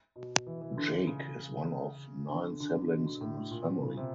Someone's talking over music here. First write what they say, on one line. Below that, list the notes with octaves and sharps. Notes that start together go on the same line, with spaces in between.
Jake is one of nine siblings in his family.
B2
E3
E3
D3
D3
C#3
D3
D3
B2
A2
A#2
C#3
C3